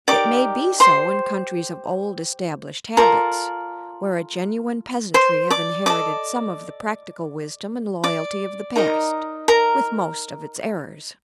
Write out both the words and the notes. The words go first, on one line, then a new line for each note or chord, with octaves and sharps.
It may be so in countries of old-established habits, where a genuine peasantry have inherited some of the practical wisdom and loyalty of the past, with most of its errors.
D#4 G4 A#4 D5 D6
C5 C6
F4 A4 A#4 D5 A#5
C5 C6
D5 D6
A4 D5 D#5 D6
D5 D6
D#4 A#4 D#5
A#4 A#5